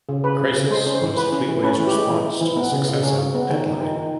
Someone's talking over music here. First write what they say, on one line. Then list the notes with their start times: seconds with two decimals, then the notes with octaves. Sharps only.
"Crisis" was Fleetway's response to the success of "Deadline".
0.09 C#3
0.24 C#3 B4
0.39 C#3
0.55 C#3
0.70 G#3 C5
0.86 C#4
0.94 C5
1.01 E3
1.17 E3 B4
1.32 C#4
1.48 E3
1.63 C#4 B4
1.79 E3
1.87 G4
1.95 G#3
2.10 E3
2.26 E3
2.41 E3
2.57 B3
2.72 C#3
2.88 C#3
3.03 C#3 C#4
3.18 C#3
3.34 B3
3.50 D#3
3.65 D#3
3.81 D#3
3.96 D#3